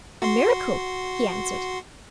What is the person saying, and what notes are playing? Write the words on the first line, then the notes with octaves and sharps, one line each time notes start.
"A miracle," he answered.
F#4 C6